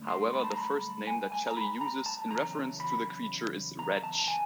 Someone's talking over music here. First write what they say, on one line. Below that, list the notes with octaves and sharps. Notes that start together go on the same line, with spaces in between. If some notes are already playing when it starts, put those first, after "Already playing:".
However, the first name that Shelley uses in reference to the creature is "wretch".
Already playing: G2 D3 F#3 A3
C6
B5
A5
A#5
B5
G#5
G#5
A#5
B5
A#5
A5
E2 C#3 F#3 A#5
B5
A#5
A5
G#5